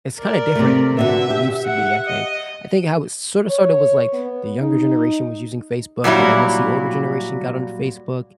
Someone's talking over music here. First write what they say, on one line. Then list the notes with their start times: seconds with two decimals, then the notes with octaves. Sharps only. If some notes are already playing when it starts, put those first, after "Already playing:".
it's kinda different than it used to be, I think I think how it sorta sorta was like the younger generation was using Facebook and then once the older generation got on Facebook,
0.19 A#4 D5
0.55 C3 A3
0.99 B2 D3 E5
1.30 G4
1.66 E5 F#5
2.07 D#5
3.50 C#5
4.13 B3
4.61 D#4
6.04 A#2 F#3 G3 E4